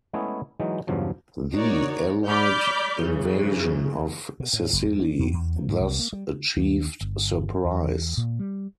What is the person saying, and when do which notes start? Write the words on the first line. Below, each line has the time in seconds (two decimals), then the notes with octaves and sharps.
The Allied invasion of Sicily thus achieved surprise.
0.13 G#3 A3 B3 C#4 E4 G#4
0.60 E3 F#3 G#3 D#4
0.87 E2 G2 C#3 F3 F#3
1.53 D#4 F#4 A#4 C#5 D5
2.27 D5 B5 D6 F6 G6
3.02 F#2 C#3 E3
4.40 B2
4.53 A2
4.73 F#1
4.85 F2
5.00 D4
5.19 E2
5.33 E2
5.56 F3
5.68 G#2
5.80 C2
5.99 A#3
6.13 G3
6.56 D#2
7.01 G1
7.65 E2
8.17 A#2
8.39 G3